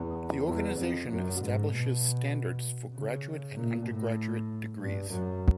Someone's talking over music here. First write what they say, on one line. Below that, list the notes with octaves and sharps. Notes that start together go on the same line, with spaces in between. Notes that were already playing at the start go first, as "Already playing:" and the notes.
The organization establishes standards for graduate and undergraduate degrees.
Already playing: E2
E2
F2
F#2
G#2
B2
C#3
A#2
A2
G2
F#2